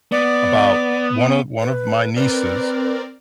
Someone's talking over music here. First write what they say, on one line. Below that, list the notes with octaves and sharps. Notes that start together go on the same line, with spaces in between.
about one of one of my nieces,
B3 D5
B4
C4 A#4 B4 D5